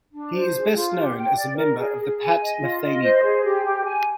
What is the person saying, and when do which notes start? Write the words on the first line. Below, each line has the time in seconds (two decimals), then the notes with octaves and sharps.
He is best known as a member of the Pat Metheny Group.
0.11 D4
0.33 C5
0.54 G#4
0.74 F4
0.95 G4
1.15 G5
1.37 D5
1.56 A#4
1.78 G#4
1.99 G#4
2.19 G#5
2.40 D#5
2.61 F4
2.81 D#5
3.03 C5
3.23 G#4
3.44 G4
3.65 G4
3.84 G#5